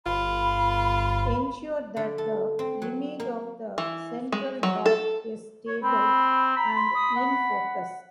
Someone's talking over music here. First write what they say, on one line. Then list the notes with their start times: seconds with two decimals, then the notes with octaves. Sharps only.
Ensure that the image of the central dot is stable and in focus.
0.06 G1 F4 B5
1.97 D3
2.18 A4
2.59 C4
2.82 F#3
3.20 A#3
3.78 E3
4.32 G#3
4.63 F#3
4.86 A4
5.68 C#5
5.82 C4 B5
6.56 A#5 B5
6.75 C6
6.94 D#6
7.15 F#5